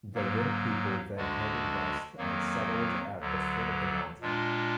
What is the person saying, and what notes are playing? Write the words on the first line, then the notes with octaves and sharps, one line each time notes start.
The Rin people then headed west and settled at the foot of the Mountain.
G#2 F#3 A#3
D2 D3 G#3 D4 F#4
F2 D#3 F#3 A#3
D2 D3 F#3
A#2 G#3 D4 F4